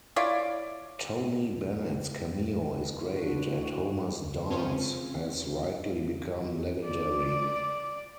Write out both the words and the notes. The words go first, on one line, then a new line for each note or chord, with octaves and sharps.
Tony Bennett's cameo is great, and Homer's dance has rightly become legendary.
E4 F4 C#5 D5
A2 D3 F#4
C4 C#4 F4 G#4 C5
D5